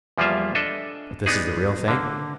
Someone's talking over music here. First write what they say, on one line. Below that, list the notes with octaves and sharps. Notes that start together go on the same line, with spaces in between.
"But this is the real thing?"
E2 F3 G3 A#3 F4 E5
D4 A4 D#5 E5
B3 D4 D#4 G#4
D3 A#3